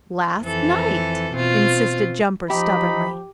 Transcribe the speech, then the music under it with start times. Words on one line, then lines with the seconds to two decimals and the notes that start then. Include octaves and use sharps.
"Last night," insisted Jumper stubbornly.
0.41 F2 E3 A4
1.32 B2 C4 F4
2.50 F3 D#4 G4 B5